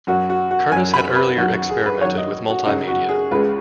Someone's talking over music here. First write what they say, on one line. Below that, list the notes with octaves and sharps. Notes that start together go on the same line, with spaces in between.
Curtis had earlier experimented with multimedia.
F#2 F#3 F#4
F#4
F#4
F#2 F#3 G#5
B5
B4
F#2 D#3 F#3 F#4
F#4
G#4
B4
F#2 D#3 F#3 C#5
D#5
F#4
F#2 C#3 F#3 D#4
F#4
G#4
C#2 C#3 G#3 B4